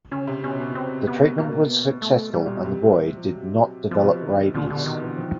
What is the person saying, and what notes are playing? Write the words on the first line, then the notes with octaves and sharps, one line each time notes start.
The treatment was successful and the boy did not develop rabies.
C#3 C#4
C3
B2 C#4
B2
B2 C4
B3
B2 A#3
B3
A3
G3
A#2
B2
C3
F3
F#3
B2 F3
C3
B2
D#3
A#2 D3
D3
B2
D#3
D3 E3
D#3 F3